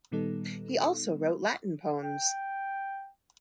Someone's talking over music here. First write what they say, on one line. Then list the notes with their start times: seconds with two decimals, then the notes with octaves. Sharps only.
He also wrote Latin poems.
0.11 A#2 D#3 G3 B3 D#4 A4
2.04 G5